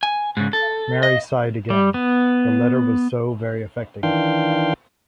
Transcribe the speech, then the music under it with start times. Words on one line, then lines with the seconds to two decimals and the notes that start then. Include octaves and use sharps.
Mary sighed again — the letter was so very affecting.
0.03 G#5
0.37 G#2 C#3
0.53 A4
1.03 D#5
1.70 G3
1.94 B3
4.03 D#3 E3 D4 F5 G5 C6